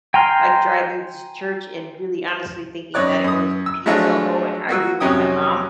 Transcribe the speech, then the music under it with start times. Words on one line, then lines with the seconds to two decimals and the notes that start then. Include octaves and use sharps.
like, driving to church and really honestly thinking that it was "the pita zoho," and arguing with my mom,
0.14 G5 G#5 A#5 C6 F6
2.94 F#2 D#4 C#5 D5 F#6
3.24 F#2 D#6
3.66 E6
3.86 F3 F#3 G#3 A3 D4 F4
4.69 A#3 F#4 E6
5.00 F2 C3 F#3 C#4 G5 D#6